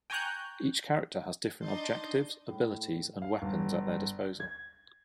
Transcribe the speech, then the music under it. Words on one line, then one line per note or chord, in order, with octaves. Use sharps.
Each character has different objectives, abilities and weapons at their disposal.
G5 G#5 A#5 C#6 F#6 G6
D4 D#4 D#5 C6 G6 A6
A2
F5
G1
G#6